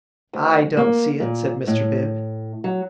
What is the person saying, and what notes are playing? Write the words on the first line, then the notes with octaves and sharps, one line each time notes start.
"I don't see it," said Mr. Bib.
D2
A#3
A#2
A2
F#3